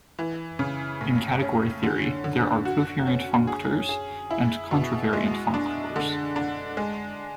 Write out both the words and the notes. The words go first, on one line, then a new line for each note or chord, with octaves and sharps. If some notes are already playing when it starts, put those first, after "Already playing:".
In category theory, there are covariant functors and contravariant functors.
E3
C#3
A2
C#4
D3
D3
F#4
C#4
G#4
G#4
E4
B2
G#3
D4
D3
D4
G#3